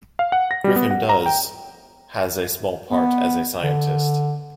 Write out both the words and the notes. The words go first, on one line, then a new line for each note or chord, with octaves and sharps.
Griffin does has a small part as a scientist.
F5
F#5
A#6
G3
B3
F#5
A#5
G5
B3
D3